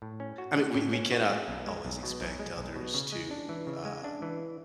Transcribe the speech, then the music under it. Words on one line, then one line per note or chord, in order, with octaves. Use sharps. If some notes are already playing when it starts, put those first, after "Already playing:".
I mean, we we cannot always expect others to, uh
A2
C#4
F#4
G#3
A2
C#4
F#4
G#3
B1
G#3
B1
B2
B1
G#3
B1
B2
C#3
G#3
D4
E3
C#3
G#3
D4
E3